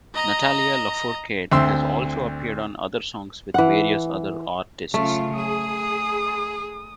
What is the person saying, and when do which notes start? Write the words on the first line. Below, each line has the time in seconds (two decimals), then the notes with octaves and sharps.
Natalia Lafourcade has also appeared on other songs with various other artists.
0.15 D#5 A#5
1.52 D2 C4 E5 C6 E6
3.54 E3 F#5
4.94 C#3 F#3 A3 F4
5.36 G#4 D#6